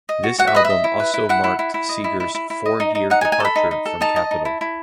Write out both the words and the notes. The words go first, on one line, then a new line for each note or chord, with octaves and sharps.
This album also marked Seger's four-year departure from Capitol.
D#5
F#4
F#4 F#5
E5
B4 D#5
E5
D#5
E4
B4
E4
E4 F#5
E4
E4
E4
D#5
E4
E4
E4
E4
D#5
D#4
D#4
D#4 F#5
G#5
D#4
G#5
A4 B5
D#4
D#4
A4
D#4 A5
D#5
D#4
E4
E4